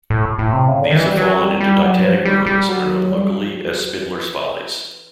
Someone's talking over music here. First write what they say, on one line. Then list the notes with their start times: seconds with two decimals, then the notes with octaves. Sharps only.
These have fallen into titanic ruins and are known locally as "Spindler's Follies".
0.10 A2
0.38 A2
0.53 C3
0.68 C#3
0.81 D3
0.91 D#3
0.96 E3
1.07 G3
1.17 F#3
1.39 G3
1.61 G3
1.82 F#3
2.04 F3
2.19 F#3
2.25 G3
2.46 G3
2.69 F#3
3.11 G3
3.44 F3
3.55 F#3
3.68 G3
3.76 F#3
3.97 E3